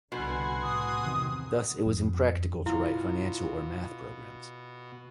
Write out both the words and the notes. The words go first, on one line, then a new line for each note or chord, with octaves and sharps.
Thus, it was impractical to write financial or math programs.
C2 B2 D3 F#4 G#5 C6
A2 D#6
E2 C3 D#3
F2
B2 E4 F4